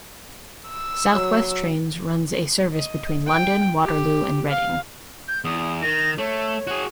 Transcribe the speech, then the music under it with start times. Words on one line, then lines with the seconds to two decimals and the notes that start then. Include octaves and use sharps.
South West Trains runs a service between London Waterloo and Reading.
0.68 E6
1.12 F#3
2.73 D#5
3.26 G5
3.82 G4
4.49 F5
5.28 G6
5.44 E2 D#6
5.82 D#3 A#6
6.18 A3 C#5
6.67 F#4 G#4